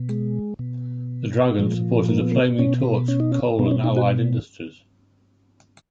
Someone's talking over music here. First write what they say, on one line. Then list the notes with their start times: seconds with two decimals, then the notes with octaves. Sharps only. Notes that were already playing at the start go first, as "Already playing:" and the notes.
The dragon supported a flaming torch for coal and allied industries.
Already playing: B2
0.09 G#3
0.59 B2
1.59 A#2 F3 G#3
2.09 A#3
2.20 B3
2.32 A#3
2.59 B2 C#4
3.08 C#4
3.20 D#4
3.32 C#4
3.59 B2 B3
3.66 D#4
3.71 C#4
3.84 D#4
3.96 F#4